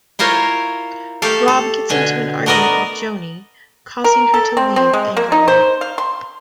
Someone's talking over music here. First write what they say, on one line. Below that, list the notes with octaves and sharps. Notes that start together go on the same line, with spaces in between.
Rob gets into an argument with Joanie, causing her to leave angrily.
E4 F4 A#4 C5 C#5
A3 G4 A4 F5
A4
B2 D3 G#5
A3 B3 A#4 D5 D#5
A#4
A4
C4
C4
G#3
A#3
D#4
C5
F5
C6